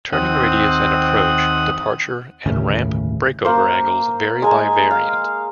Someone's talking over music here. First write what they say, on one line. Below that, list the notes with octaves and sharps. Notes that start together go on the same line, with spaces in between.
Turning radius and approach, departure, and ramp breakover angles vary by variant.
D#2 C4 F#5 D#6
G1 D#2 A2 C#3
A#3 C5
G#3 G#5 A#5
F5